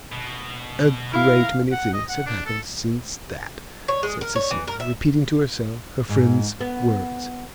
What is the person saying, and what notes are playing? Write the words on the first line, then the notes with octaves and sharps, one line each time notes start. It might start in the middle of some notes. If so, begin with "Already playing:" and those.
"A great many things have happened since that," said Cecilia, repeating to herself her friend's words.
B2
E4 A#4 F5
F#5
D#5
F#5
D4
A4
C#5
G#3
A#4
C#5
E3
A#4
E5
G#2
B3